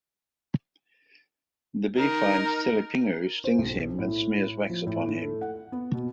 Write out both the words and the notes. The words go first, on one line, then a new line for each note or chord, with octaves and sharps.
The bee finds Telipinu, stings him and smears wax upon him.
D#4 A#4
C5
B1
A2
F3
A2
A4
F#5
B3
B2